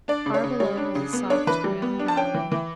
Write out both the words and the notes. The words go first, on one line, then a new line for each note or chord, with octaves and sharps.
Far below was a soft, green valley.
D4 D5
C#3
C#5
C#3
G3 C#5
D4
C#3
B3
D4 C#5
E3 B4
G3
B3
D4
A5
C#4 G5
E3
E3